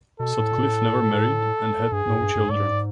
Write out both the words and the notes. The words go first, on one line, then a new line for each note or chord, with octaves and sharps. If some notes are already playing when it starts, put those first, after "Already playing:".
Sutcliff never married and had no children.
B2 A4
A2
A#2
A2
G2 G#4
G#2
G2
G2
G#2 D5